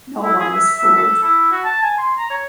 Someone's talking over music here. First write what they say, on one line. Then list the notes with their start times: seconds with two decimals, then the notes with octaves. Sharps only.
No one was fooled.
0.24 E4
0.40 G#4
0.53 E5
0.78 E5
0.97 A4
1.23 E4
1.52 F#4
1.64 A5
1.83 G#5
1.98 C6
2.17 A#5
2.30 C#5